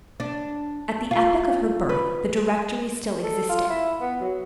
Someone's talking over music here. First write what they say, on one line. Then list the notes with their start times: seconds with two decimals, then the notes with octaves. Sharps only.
At the epoch of her birth the Directory still existed.
0.20 D4
1.11 F4
1.89 B4
3.24 A4
3.49 F4
3.70 E4
4.01 B3
4.21 F#3